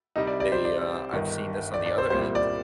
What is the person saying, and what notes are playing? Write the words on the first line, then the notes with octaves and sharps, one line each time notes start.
they, uh, I've seen this on the other end,
C2 C3 G3 D#4
D5
D5
C5
D5
G1 G2 D#3
D5
D5
C5
C2 A#2 G3 C5
D5